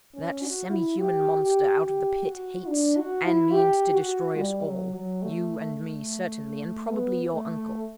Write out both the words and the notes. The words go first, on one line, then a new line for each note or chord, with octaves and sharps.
That semi-human monster out of the pit hates and means to destroy us all--you and me certainly, and probably your uncle.
C#4
F#4
E4
G4
G4
G4
F#4
D4
F#4
E4
G4
F#4
G3
F#3
F#3
A3
B3
A3